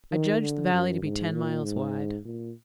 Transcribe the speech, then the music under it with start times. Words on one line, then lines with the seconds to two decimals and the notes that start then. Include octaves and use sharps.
I judged the valley to be ten miles wide.
0.11 D#3
0.41 D3
0.72 F#2
1.02 G#2
1.33 A#2
1.64 G#2
2.25 A#2